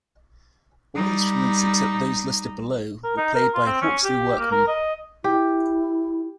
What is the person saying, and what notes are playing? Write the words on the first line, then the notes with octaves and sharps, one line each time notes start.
All instruments except those listed below were played by Hawksley Workman.
G3 D#4
A#4
D#4
A#4
F4
C4
C#4
G4
A#3
A#4
D#5
E4 G4